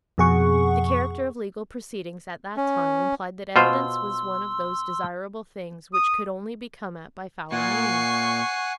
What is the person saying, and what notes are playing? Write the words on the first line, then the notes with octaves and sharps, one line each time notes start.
The character of legal proceedings at that time implied that evidence was one of those desirable things which could only be come at by foul means.
F2 B2 G#4 F#5 C#6
C#4
B2 F4 C5 C6 E6
D#6
A#2 F#5 G#5 C#6 C7